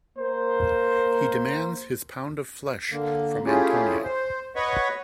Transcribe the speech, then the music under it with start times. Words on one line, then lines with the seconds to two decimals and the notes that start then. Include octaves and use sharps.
He demands his pound of flesh from Antonio.
0.18 A#3 A#4 C5
2.91 D3 A#3
3.46 A3 C#4 E4 F4 G4 G#4
4.03 C5
4.56 B4 C#5 D#5 F#5 B5 C#6